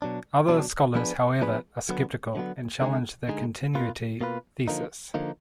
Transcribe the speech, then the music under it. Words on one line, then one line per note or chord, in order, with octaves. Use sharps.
Other scholars, however, are skeptical and challenge the continuity thesis.
B2 F#3 D4
B2 F#3 D4
F3 B3 D4 G#4 B4
F3 B3 D4 G#4 B4
D3 F#3 B3
D3 F#3 B3
D3 G#3 D#4 G#4
D3 G#3 D#4 G#4
B2 A#3 F4 B4
B2 A#3 F4 B4
D3 F3 A#3 D#4
D3 F3 A#3 D#4